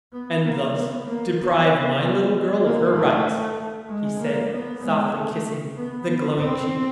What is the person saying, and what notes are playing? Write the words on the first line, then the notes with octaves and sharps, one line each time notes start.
"And thus deprive my little girl of her rights," he said, softly kissing the glowing cheek.
B3
A#3
B3
A#3
B3
A#3
A3
G#3
A#3
B3
G#3
A3
B3
B3
C4